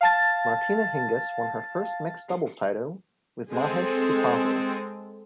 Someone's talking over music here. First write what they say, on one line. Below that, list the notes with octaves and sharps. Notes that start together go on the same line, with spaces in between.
Martina Hingis won her first mixed doubles title with Mahesh Bhupathi.
F5 A5 A6
G#3 C4 G#4 A4